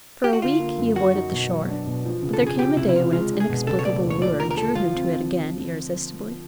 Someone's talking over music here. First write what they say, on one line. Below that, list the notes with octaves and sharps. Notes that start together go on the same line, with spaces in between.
For a week he avoided the shore, but there came a day when its inexplicable lure drew him to it again irresistibly.
G4
F#4
D3 F4
A#3
F#2
F#3 F#4
D#4
B2
F#3
D4
B2
F3
C#3
A4
C#3
G#4
F3 G4
C3 E4
E4
C3 F4
G#3 F4
D4
G#4
B2
C#3 A4
C#5
A3 D5
D#2
C#5
F3 D5
D3 A#4
A#4
D3 A4
F3 F4
C4